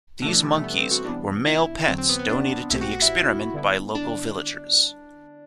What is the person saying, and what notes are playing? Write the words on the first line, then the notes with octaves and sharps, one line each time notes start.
These monkeys were male pets, donated to the experiment by local villagers.
B2 D3 A3 D4
E3
G3
A3
B3
C4
F#4
C3 E3 G3 B3 D4
E4
E2 D3 F#3 C4
C4
B3
B3
D4
C2 B2 A3 C4 E4 G4
F#4
F#4
E4
D3 G3 B3 E4
D4